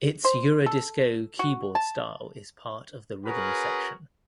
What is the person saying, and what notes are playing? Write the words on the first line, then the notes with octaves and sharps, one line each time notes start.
Its Eurodisco keyboard style is part of the rhythm section.
C5
A4
F#4
A5
C#4 F#4 G#4 A#4 B4